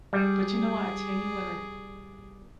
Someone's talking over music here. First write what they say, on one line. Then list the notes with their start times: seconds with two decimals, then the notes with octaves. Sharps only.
but you know what I tell you when I
0.13 G3 G#4 D5